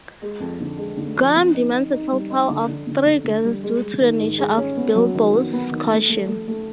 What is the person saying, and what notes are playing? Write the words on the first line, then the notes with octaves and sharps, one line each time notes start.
Gollum demands a total of three guesses due to the nature of Bilbo's question.
G#3
F2
D3
G#3
D3
F3
C4
D#4
D#4
D#4
G3
D#4
D3
D3
D3
D3
D3
G3
G#3
G#3
D#3
G#2
G#3
C#4
B3
F#3
D#3
B3
B3
D#3
A3
A3
A3
A3